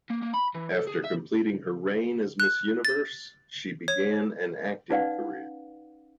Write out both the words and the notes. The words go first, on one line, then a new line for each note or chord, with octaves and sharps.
After completing her reign as Miss Universe she began an acting career.
A#3
A#3
B5
E3
A4
G#4
E5
F#6
A6
C#5
C#4 D#4 B4 D5 F5 F#5